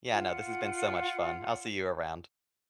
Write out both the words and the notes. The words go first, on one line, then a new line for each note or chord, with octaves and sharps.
Yeah, no, this has been so much fun, I'll see you around.
F4 F#5